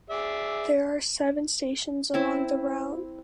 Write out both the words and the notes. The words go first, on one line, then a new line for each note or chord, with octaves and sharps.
There are seven stations along the route.
G#4 D5 E5
C4 E4